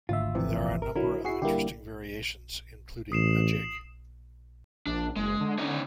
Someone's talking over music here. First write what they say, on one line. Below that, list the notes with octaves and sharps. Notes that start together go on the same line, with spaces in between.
There are a number of interesting variations, including a jig.
G#1 D2 F4 E5
C3 E3 F3
A#4
D3 F#3 E4 A#4
E4 F#4 G#4 C7
D3 G3 A#3 E4 G4
A1 D#6 C7 E7
A#1 D4
F#1 G#3
D3
C#4 D#4 C#5